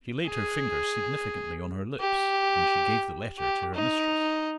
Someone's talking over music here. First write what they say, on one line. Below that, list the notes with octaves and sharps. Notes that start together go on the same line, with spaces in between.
She laid her finger significantly on her lips when she gave the letter to her mistress.
G#4
G4
G4
D#4